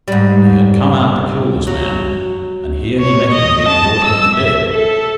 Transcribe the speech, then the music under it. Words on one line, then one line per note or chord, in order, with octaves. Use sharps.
He had come out to kill this man, and here he met him being brought home dead.
G#2 G3
F#3
C#5
D#5
A5
E6
E5
A4